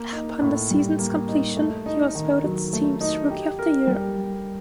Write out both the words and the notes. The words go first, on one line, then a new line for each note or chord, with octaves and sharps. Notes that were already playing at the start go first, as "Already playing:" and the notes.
Upon the season's completion, he was voted the team's rookie of the year.
Already playing: A#3
D#4
A2
G3
A#3
D#4
A3
D#4
D#3
F#3
A3
D#4
G4
A#4
G3